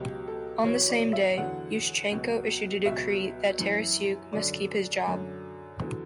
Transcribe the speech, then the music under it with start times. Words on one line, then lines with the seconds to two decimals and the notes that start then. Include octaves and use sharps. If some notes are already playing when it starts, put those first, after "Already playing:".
On the same day, Yushchenko issued a decree that Tarasyuk must keep his job.
Already playing: C#2 B2 F#3 G4
0.27 A4
0.64 E2 B2 F#3 C#5
0.89 D5
1.13 E5
1.38 E2 D3 F#3 F#5
2.12 C#2 B2 F#3
2.85 C#2 B2 F#3 E5
3.59 F#2 E3
4.33 F#2 D3 F#3 D5
5.08 F#2 D3 F#3
5.80 E2 D3 F#3